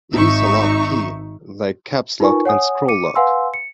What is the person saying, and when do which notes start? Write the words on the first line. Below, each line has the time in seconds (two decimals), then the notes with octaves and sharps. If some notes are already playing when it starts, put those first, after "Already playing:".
It is a lock key, like Caps Lock and Scroll Lock.
0.11 G#1 D#4 E5 C#6
2.20 D#4 F4 A#4 B4 G#5 C#6
2.45 C#5 F#5 G#5 D#6
2.88 D6 C#7 D#7
3.15 B4 F5 F#5 G#5 C6 E6
3.54 C#7